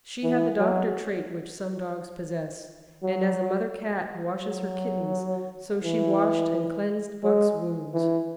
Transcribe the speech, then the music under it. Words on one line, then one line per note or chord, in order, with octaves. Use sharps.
She had the doctor trait which some dogs possess; and as a mother cat washes her kittens, so she washed and cleansed Buck's wounds.
E3
F#3
F#3
F#3
E3
G#3
E3